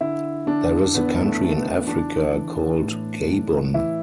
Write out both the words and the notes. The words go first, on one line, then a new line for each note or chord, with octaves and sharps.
There is a country in Africa called Gabon.
D3 E4
D3 D4
E2 B3
A3
E2
B3
E3 D4
E3
A2
A2
E3 E4